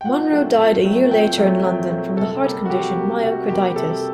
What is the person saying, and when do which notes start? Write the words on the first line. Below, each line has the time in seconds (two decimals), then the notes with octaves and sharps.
Munro died a year later in London from the heart condition myocarditis.
0.01 G5
0.05 A#2 F#5
0.32 F#3 A3 C4
0.58 A#2
0.84 F#3 A3 C4
1.11 A#2 G5
1.38 F#3 A3 C4
1.64 A#2
1.90 F#3 A3 C4
2.16 C3 A4
2.44 G3 A#3
2.65 F#4
2.70 C3 G4
2.96 G3 A#3
3.22 C3 F#4
3.49 G3 A#3 G4
3.76 C3 A4